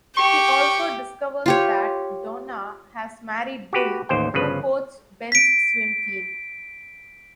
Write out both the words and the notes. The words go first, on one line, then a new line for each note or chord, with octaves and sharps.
He also discovers that Donna has married Bill, who coached Ben's swim team.
G4 C#6
F4 G4 C#5
F#4 G4 B4
A1 D#2 C5 G5
G1 C#3 F3 B4
B6 D7